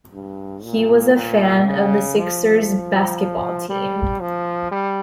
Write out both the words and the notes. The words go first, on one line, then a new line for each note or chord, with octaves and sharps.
He was a fan of the Sixers basketball team.
G2
A#2
A#2
C#3
F3
G3
F3
G3